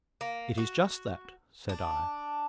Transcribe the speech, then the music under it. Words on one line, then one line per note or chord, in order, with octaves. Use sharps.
"It is just that," said I.
A#3
F#4
D4